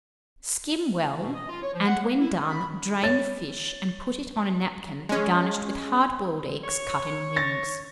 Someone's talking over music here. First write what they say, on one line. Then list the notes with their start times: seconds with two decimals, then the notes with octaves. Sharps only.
Skim well, and when done, drain the fish and put it on a napkin garnished with hard-boiled eggs cut in rings.
1.22 B2
1.34 D#5
1.49 F4
1.63 C#5
1.74 F3
1.86 F#5
2.01 A#3
2.20 E4
2.32 G#3
2.50 B5
3.03 C#5 A6
5.09 G#3 C#4
6.64 C#5
7.36 A6 A#6